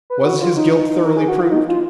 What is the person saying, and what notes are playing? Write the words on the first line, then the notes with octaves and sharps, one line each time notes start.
Was his guilt thoroughly proved?
B4
F#4
F4
D#4
A#4
G#4
F#4
F4
D#4
F4